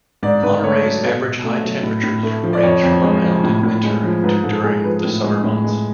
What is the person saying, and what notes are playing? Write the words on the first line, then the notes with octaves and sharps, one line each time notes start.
Monterey's average high temperatures range from around in winter to during the summer months.
G#2 D5
G#2 B4
A3 C#5
F#3 A4
B2 B4
B2
A3
F#3
A2
A2
A3
F3
D5
F2 C#5
F2
G#3
F3
A2
A2
G#3
F3
G#2 B4
G#2 A4
G#3 G#4
F3 B4
A2
G#3
A2
G#3